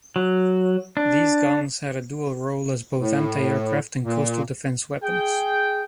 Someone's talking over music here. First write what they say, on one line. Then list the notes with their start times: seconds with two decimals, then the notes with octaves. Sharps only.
These guns had a dual role as both anti-aircraft and coastal defence weapons.
0.16 F#3
0.97 D4
2.99 A2
4.03 A#2
5.03 G#4 G5